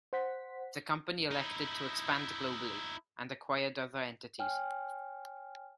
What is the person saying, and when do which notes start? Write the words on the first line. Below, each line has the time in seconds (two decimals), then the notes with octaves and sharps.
The company elected to expand globally, and acquired other entities.
0.13 C5 F#5 B6
1.31 D#4 E4
4.39 C#5 G5 G#5 F6